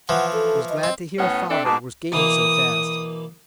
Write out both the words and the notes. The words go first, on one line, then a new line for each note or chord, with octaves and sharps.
Was glad to hear father was gaining so fast.
E3 F3 F#5
A4
D#5
C4
A2 B3 C#4
C4 D4 A4 E5
G#2 B2 A5 D6
B2 E3 A#3 D#6